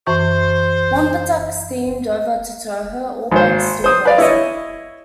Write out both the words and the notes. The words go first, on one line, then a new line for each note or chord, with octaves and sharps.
"Wompatuck" steamed over to tow her, all guns still blazing.
F#2 E3 C5 C#6
G#1 C5
C5 D#6
B4 D5 F5
E4 C#5 D#5